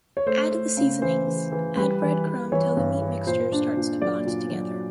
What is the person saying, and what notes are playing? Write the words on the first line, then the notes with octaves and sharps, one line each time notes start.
Add the seasonings. add bread crumb till the meat mixture starts to bond together.
C#5
A3 C5
A3
C#3
E3 C5
E3
E3
G3 B4
E3
E3
E3 C#5
G2
E3
A#2 C5
D4
A#2
F#3 D5
A#2
F#3